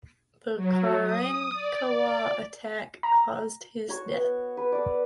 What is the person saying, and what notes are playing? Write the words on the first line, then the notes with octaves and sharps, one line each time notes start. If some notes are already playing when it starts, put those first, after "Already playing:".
The Karankawa attack caused his death.
F#3
D#6
D5
A#5
F#4 C#5 C#6
B3
B4
A4 D5